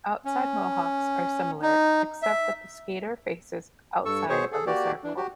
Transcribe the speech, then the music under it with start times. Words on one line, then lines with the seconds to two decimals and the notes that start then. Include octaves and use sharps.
Outside mohawks are similar, except that the skater faces outside of the circle.
0.25 C#4
1.62 D#4
2.23 E5
4.05 G2 A4 C#6 E6
4.29 B2 G#4 C5 C#5 C#6
4.52 G#4 A4
4.67 A#3 F#4 G4 D5
5.04 E3 D4
5.17 F#4 G4